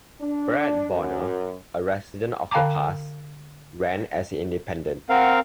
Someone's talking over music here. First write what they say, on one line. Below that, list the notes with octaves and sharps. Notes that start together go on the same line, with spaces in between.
Brad Bodnar, a resident of The Pas, ran as an independent.
D4
F#2
D3 F5 G5 A5 A#5 D6
C4 A#4 F5 F#5